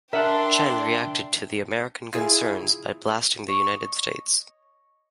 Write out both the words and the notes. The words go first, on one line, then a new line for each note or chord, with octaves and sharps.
Chen reacted to the American concerns by blasting the United States.
D4 A#4 E5 F#5 G5 C6
E4 F4 G#4 G#5
C#5 D#5 C#6